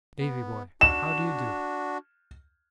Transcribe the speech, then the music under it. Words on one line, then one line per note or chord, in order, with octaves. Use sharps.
Davy boy, how do you do?'
B3
D4 F#4 E7